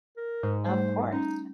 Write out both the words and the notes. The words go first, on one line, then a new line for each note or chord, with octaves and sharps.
Of course.
A#4
G#2
G3 A3 C5
C#4 D#4